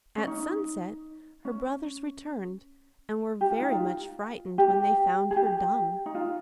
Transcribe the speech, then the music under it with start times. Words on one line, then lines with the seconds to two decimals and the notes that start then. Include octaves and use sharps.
At sunset her brothers returned and were very much frightened when they found her dumb.
0.18 C#4
0.27 D#4
1.45 C#4
3.41 G4
3.51 F4
3.61 D#4
3.72 F4
4.58 G4
5.31 G#4
5.36 G4
6.06 D#4
6.15 F4